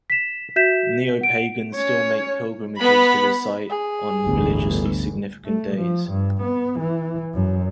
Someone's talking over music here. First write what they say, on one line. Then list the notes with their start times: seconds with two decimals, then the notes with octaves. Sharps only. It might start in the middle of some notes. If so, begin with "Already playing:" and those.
Neopagans still make pilgrimages to the site on religiously significant days.
0.10 B6 E7
0.56 F#4 E5 G6 B6 E7
1.21 F#5 D7
1.74 C#4 C#5
2.78 B3 B5
3.70 G#4
4.26 G1 D2 A2 E3 G3 B3
5.44 A3
5.76 F3
6.10 G2
6.42 B3
6.80 E3
7.34 F#2